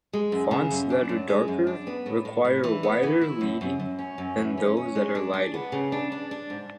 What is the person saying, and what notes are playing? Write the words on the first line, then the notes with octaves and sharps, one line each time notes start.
Fonts that are darker require a wider leading than those that are lighter.
G#3
F#2
C#3
F#2
D4
F#2
G#3
F#2
D4
B3
A2
A2
A2
E3
B3
E3
E4
F#2
F#2
F#2
C#4
F#2
E3
C#4
C#4
G#3
D4
D4
B3
C#3
D4
D4
D4
G#2